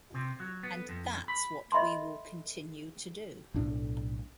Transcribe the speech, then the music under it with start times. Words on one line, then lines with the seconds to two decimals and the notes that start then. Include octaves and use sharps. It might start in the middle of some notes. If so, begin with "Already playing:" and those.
And that's what we will continue to do.
0.14 C3
0.40 F#3
0.63 B3
0.89 F2
1.28 B5
1.72 D#5 E5 B5 C6
3.54 B1 A2 D4